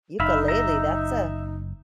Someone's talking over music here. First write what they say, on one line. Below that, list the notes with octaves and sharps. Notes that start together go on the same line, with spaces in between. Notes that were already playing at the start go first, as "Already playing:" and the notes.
Ukulele, that's a
F#1 D#4 E5 F5 B5
E5 A#5